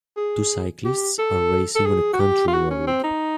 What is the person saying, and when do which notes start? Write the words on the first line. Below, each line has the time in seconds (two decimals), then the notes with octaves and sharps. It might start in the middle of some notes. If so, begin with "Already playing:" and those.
Two cyclists are racing on a country road.
0.17 G#4
0.85 G4
1.19 A4
1.76 A4
1.86 G#4
2.13 F#4
2.20 G4
2.48 F4
2.54 F#4
2.71 C#4
2.87 C4
3.04 D#4